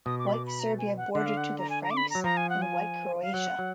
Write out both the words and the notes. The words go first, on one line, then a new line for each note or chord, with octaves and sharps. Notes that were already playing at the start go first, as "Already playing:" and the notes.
White Serbia bordered to the Franks and White Croatia.
B2 D#6
D6
B5
D6
B5
A#5
G#5
F#5
D3 F#5
F5
F#5
A#5
G#5
A#5
D6
B5
A#5
F#3
F3 A#5
G#5
F#5
G#5
F5
F#3 F#5
F#3